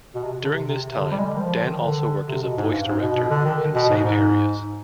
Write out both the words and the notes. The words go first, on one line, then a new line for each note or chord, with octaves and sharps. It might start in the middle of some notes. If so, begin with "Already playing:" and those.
During this time, Dan also worked as a voice director in the same areas.
B2
C3
D3
C3
C3
C3
D3
G3
G#3
G3
D#3
F3
F3
D3
D#3
D3
C3
B2
G#2
G2
G#2
B2
B2
D3
D#3
B2
G#2
G#2